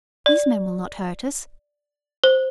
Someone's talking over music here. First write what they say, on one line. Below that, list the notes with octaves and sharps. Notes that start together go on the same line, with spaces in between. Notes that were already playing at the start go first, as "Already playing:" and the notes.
These men will not hurt us.
D5
C5